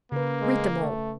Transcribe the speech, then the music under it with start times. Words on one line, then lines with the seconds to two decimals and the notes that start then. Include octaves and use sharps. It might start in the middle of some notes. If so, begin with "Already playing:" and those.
"Read them all!"
0.12 C#3 A#3 B4
0.41 G#3
0.80 A3